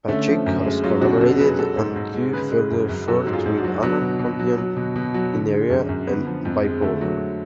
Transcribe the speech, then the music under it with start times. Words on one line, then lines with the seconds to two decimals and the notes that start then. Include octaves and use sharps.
Patrick has collaborated on two further shorts with Anna Campion, "Inertia" and "Bipolar".
0.08 D3 A3 C#4
0.28 F3
0.46 F#2
0.65 G#3
0.84 F#3 C#4 F4
1.02 B2 D4 F#4
1.21 B2 F#4 A4
1.39 F#3 G#4 B4
1.59 G#3 F#4 A4
1.77 G#2
1.96 G#2
2.14 G#3
2.33 C#3 G#4 B4
2.52 G#3
2.71 F#2
2.89 F#2
3.08 F#3 F#4 A4
3.27 G#2
3.33 F4 G#4
3.46 G#2
3.57 D4 F#4
3.64 F#3
3.82 F#3 B3 D4
4.02 B2
4.20 B2
4.39 F#3
4.58 F#3
4.77 B2
4.96 B2
5.14 F#3
5.33 D3
5.51 G#3
5.70 F#2
5.89 F#2
6.07 D3 B3
6.27 F3
6.45 F2
6.64 G#3
6.82 D3 A3
7.01 F#3